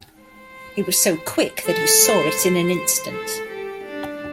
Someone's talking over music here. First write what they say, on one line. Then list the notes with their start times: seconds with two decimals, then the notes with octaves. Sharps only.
He was so quick that he saw it in an instant.
0.20 C5
1.66 A4
2.03 C5
2.38 C5
3.12 A4
3.48 G4
3.84 D4